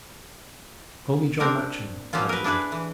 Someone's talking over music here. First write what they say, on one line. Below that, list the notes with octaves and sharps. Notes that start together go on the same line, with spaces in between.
"Call me John Matcham," replied the lad.
C4 D4 A#4
F3 F#3 A#3 C#4 F4
A#4 B4
D4 E4 G#4 B4
E3